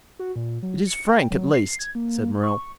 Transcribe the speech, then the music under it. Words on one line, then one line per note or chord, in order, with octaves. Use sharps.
"It is frank, at least," said Morrel.
F#4
A#2
F#3
C#7
G5
F#3
C7
G#6
A#3
C#6